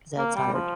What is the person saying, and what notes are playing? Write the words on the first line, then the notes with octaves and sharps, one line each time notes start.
‘cause that's hard.
A#3
G3
F3